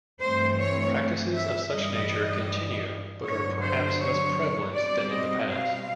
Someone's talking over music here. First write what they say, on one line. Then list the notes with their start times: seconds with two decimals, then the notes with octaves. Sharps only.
Practices of such nature continue but are perhaps less prevalent than in the past.
0.20 G2 E3 A3 C4 C5
0.58 C#5
1.34 E5
1.72 G2 E3 G3 D#5
3.23 G2 D3 F#3 B3 C#5
3.61 C5
3.99 C#5
4.74 B2 G3 C4 D5
5.12 D#5
5.50 F5